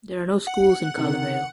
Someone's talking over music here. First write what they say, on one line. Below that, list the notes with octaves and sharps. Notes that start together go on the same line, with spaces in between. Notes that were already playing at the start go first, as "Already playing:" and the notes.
There are no schools in Caldervale.
F#5
C3 D#3 A#4